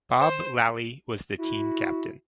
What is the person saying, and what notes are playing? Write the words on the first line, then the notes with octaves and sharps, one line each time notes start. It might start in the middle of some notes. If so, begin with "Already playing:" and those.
Bob Lally was the team captain.
C5
E4 F#4